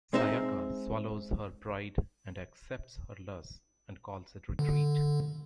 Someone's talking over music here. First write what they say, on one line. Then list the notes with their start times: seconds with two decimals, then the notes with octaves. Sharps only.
Sayaka swallows her pride and accepts her loss and calls a retreat.
0.13 G#3 C4 D#4 E5
4.59 D3